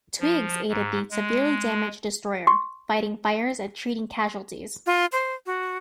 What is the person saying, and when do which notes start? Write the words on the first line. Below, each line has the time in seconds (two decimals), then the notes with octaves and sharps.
"Twiggs" aided the severely damaged destroyer, fighting fires and treating casualties.
0.19 F3
0.69 G#2
1.11 G#3
2.47 C6 C#6
4.86 F4
5.12 C5
5.46 F#4